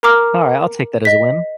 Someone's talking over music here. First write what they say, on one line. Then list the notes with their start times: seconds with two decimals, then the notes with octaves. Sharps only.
Alright. I'll take that as a win.
0.03 A#4 A#5 D6 F6
1.05 D#5 B6